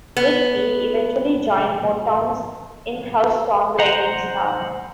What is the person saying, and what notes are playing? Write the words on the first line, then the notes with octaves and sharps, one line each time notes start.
Whitfield eventually joined Motown's in-house songwriting staff.
B3
C5 F#5 A#5